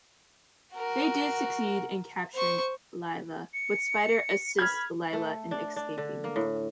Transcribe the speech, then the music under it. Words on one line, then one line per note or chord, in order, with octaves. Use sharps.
They did succeed in capturing Lila, but Spyder assists Lila in escaping.
F#4 A#4
C5 C#6
C#7
B5 F6 G#6
A3
D4
D4
D3
A#3
A2